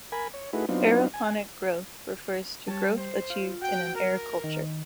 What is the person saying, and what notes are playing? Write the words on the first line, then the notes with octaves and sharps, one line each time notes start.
"Aeroponic growth" refers to growth achieved in an air culture.
A#4 G#5 B5
C#5
A3 D#4 E4 F#4 G#4 B4
F#3 B3 C4 D4 D#4 F4
G#5
G3 C#5 A5
C5
F4
F#4 G5
A#4
D#3